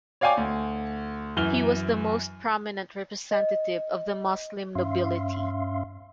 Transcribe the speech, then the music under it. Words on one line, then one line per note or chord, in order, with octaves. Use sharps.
He was the most prominent representative of the Muslim nobility.
C#5 D5 F5 G5 G#5 D6
D2
F#2 E3 F6 G7
D#5
G2 C#4 E5 F5 C6